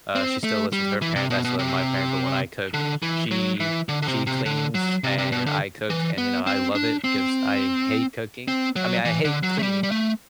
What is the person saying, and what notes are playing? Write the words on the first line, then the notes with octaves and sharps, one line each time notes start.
Uh, she still lives with her parents, I still live with my parent, but when I cook, she she cleans and I cook and, you know, I love it because I hate cooking I mean, I hate cleaning,
C4
A3
G3
E3
C3
B2
B2
C3
D3
E3
F#3
E3
D3
D3
C3
C3
D3
F#3
C3
C3
B2
D3
E3
B3
C4
D4
C4
C4
F#3
E3
D3
F#3
A3
G3
G3
A3